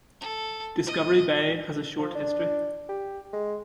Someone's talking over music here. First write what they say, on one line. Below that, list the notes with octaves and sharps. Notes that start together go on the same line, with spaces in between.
Discovery Bay has a short history.
A4
D#5
F3
D4
G4
G#3